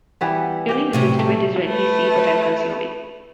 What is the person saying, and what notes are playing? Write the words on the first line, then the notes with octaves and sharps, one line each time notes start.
Tuning this instrument is very easy but time consuming.
E3 G3 B3
G4 G5
A2 C3 F#3
A3
A3 B4